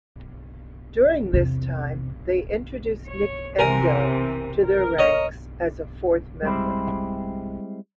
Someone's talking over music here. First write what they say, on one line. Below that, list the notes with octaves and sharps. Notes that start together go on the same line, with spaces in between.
During this time they introduced Nic Endo to their ranks as a fourth member.
E2 C3
C#5
C3 E3 C4 A#4 G#5 A#5
A#4
C#5 D#5
G3 G#3 C4 E4